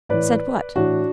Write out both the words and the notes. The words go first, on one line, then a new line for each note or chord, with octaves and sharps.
"Said what?"
A2 E3 B4 D5
A2 E3 D4 F#4